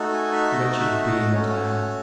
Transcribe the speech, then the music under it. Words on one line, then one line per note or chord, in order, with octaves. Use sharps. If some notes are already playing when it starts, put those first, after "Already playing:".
Wretched being that I am!
Already playing: A3 D#4 F#4 A4
G#5
E5
D#5
E5
D#5
A3 C#4 F#4 A4 C#5